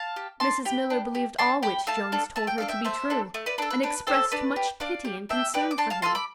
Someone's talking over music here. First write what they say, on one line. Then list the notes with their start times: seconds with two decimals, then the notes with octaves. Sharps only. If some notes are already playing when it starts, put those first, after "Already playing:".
Mrs Miller believed all which Jones told her to be true, and exprest much pity and concern for him.
Already playing: F5 A5
0.16 G4
0.40 D4 A5 C6
0.65 G4 G5 B5
0.90 D4
1.15 G4
1.39 D4 A5 C6
1.62 G4 G5 B5
1.87 A3 F5 A5
2.12 D4 A4
2.36 A3 A5
2.47 G5
2.58 D4 A4 F5
2.68 E5 G5
2.84 A3 C5 E5
3.10 D4 A4
3.34 A3
3.46 B4 D5
3.58 D4 A4 B4
3.70 B4
3.83 D4 B4
4.07 G4 A4 C5
4.31 D4 B4 D5
4.56 G4
4.80 D4 D5 F5
5.05 G4
5.29 D4 E5 G5
5.54 G4 B4 D5
5.71 D6
5.78 D4 A5 C6
5.90 F5 A5
6.02 F4 A4 A5 C6
6.15 B5 D6